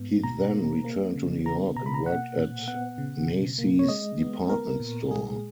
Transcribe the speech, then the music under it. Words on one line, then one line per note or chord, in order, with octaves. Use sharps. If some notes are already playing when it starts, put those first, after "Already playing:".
He then returned to New York and worked at Macy's Department Store.
Already playing: G#2 B3
B2 A#5
A#3
A#3
C#3
B3 A#5
B2 A#5
B5
A#5
A#3 F#5
A#2
B3 F#5
C#3
B2
A#3
C#5
G#3 D#5
B3
B3 A#4
A#2
G#3 G#4